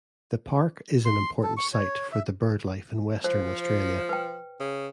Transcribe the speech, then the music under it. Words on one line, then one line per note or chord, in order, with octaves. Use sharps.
The park is an important site for the bird life in Western Australia.
C6
A4
C#6
C#5
E5
F3 C5
B4 G5
C#3